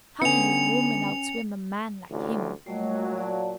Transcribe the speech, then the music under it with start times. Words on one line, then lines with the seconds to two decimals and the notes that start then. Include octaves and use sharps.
How could a woman outswim a man like him?
0.22 D3 B3 C#4 G#5 C#7 F7
2.10 A1 D2 A2
2.66 A#2 F#3 G3 A3 D#5
3.18 D5 F5 A5